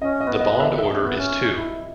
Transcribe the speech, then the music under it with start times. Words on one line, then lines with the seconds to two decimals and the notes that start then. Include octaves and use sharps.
The bond order is two.
0.01 C#4 D#5
0.20 D#5
0.27 B3
0.40 D#5
0.53 B3
0.60 E5
0.78 D#4 E5
0.91 C#4
1.05 B3
1.18 C#4
1.56 E4